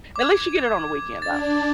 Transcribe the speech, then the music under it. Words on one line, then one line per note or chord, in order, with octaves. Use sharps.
At least you get it on the weekend, though.
D6 G#6
D4 A6